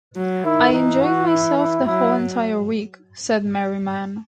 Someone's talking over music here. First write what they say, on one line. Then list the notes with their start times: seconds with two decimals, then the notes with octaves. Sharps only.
"I enjoyed myself the whole entire week", said Merriman.
0.17 F#3
0.44 D#3 E4
0.73 E3 D#4
1.01 F#4
1.28 E4
1.57 E4
1.85 F#3 E4